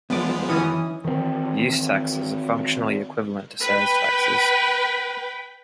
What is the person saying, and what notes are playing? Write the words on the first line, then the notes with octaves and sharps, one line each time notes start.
Use taxes are functionally equivalent to sales taxes.
E2 F3 G#3 B3 D5
F#2 D#3 E3 C#4 D#6
D#3 E3 G#3 C4
B4 G5 B5